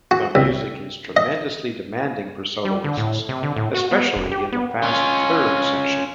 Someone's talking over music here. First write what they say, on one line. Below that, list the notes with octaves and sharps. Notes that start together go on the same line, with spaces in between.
The music is tremendously demanding for soloists, especially in the fast third section.
F#4
C2
D#5
G3
D3
A2
C3
D3
A2
F#4
B3
F1
G4
B3
C#4 F4